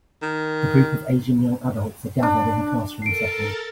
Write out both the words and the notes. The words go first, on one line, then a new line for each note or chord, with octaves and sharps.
A group of Asian young adults are gathered in a classroom setting.
D#3
D4
A4 A#4 A5 C7 D7